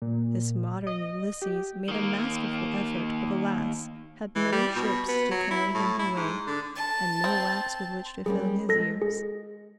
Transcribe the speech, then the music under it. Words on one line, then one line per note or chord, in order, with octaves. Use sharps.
This modern Ulysses made a masterful effort, but alas! had no ships to carry him away, and no wax with which to fill his ears.
A#2
D#5
G4
D#3 A#3
E3
G3
B2
B3
F#3
E4
A2
E4
G#2
D3
A5
C4
G3 A#3 C#4 G#4
G#3 A4 A#6
G#4